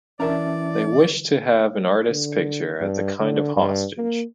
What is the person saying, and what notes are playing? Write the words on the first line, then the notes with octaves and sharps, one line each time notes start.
They wished to have the artist’s picture as a kind of hostage.
E3 C#4 D4 A#4 D5 E5 A5 A#5
D3
G2
D3
G2
A#3